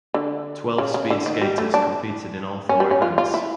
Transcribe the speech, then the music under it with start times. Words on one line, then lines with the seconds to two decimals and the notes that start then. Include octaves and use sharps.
Twelve speed skaters competed in all four events.
0.14 D3
0.78 C#3
0.94 C#3
1.10 D3
1.26 D#3
1.41 G3
1.58 A3
1.74 D4
2.69 C#4
2.80 G3
2.91 C#4
3.02 F4
3.18 F4
3.34 E4